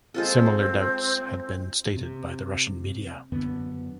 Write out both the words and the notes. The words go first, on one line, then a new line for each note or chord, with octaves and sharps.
Similar doubts had been stated by the Russian media.
G#3 C4 F4 A4
C3
F#2 D3 B3